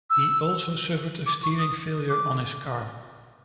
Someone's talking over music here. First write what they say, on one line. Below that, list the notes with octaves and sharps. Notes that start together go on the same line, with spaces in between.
He also suffered a steering failure on his car.
E6
D6
C#6
D#6
D6